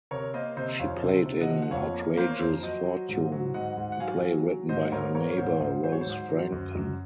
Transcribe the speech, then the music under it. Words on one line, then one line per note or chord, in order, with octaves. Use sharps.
She played in "Outrageous Fortune", a play written by her neighbor Rose Franken.
C3 A#4 C#5
A#3 C5 D#5
C3 C5 D#5
F2 C#5 F5
C3
C3
D#5 F#5
F3
F#5
F2 C#5 F5
A#3
A#3 C5
C#5
F2 C5
F#3 C5 D#5
F#3
G#2
F#3
G#2 D#5 F#5
G#2
F#5
F#3 F5 G#5
F#3
F#3
G#2 C5 D#5
G#2 A#4 C#5
A#3 A#4 C#5
C#5
G#2 C5
G#2
F#3 C5
C#5
C5
G#2
F#3
F#2
F#2